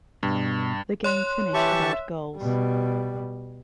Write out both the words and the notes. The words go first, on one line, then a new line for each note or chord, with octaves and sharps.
The game finished without goals.
G2 B2
C#5 C6 F#6
E3 G4 E5 A5 C#6
B2 G3